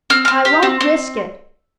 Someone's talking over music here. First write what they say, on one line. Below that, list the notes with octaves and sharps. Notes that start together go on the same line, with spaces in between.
I won't risk it!
C4 F6
C4 F6
G4
C4
C4